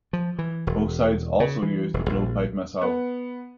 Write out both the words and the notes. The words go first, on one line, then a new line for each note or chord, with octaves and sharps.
Both sides also used the Blowpipe missile.
F3
E3
E1
C#3
E3
E1
A#1
B3